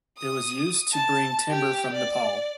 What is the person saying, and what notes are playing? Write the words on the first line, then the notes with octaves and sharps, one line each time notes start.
It was used to bring timber from Nepal.
D#6
A5
G4
D5